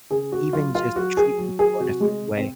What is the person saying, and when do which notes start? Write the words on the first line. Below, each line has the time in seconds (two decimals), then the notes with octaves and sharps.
even just treat people in a certain way.
0.11 C#3 G#4
0.32 F#4
0.53 F#3 F4
0.75 F4
0.96 F#3 F#4
1.17 G#4
1.38 F#3
1.59 G#4
1.80 C3 F#4
2.00 G#3
2.22 C3
2.38 C4